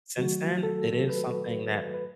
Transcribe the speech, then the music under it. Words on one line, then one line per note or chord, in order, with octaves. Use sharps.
since then, it is something that
D#3 F#3 A3 F#4
A4
B4
B4